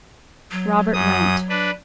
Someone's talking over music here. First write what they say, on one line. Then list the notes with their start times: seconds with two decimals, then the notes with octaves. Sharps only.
Robert went.
0.51 F#3
0.94 F#2 D#6
1.49 D4 B4